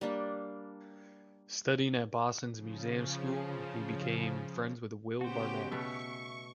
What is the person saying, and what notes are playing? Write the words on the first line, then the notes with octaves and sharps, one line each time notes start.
Studying at Boston's Museum School, he became friends with Will Barnet.
G3 A#3 D4
C#3 F3
C#3 B3 F#4 G4 C5 G5
B2 A3 E5 C#6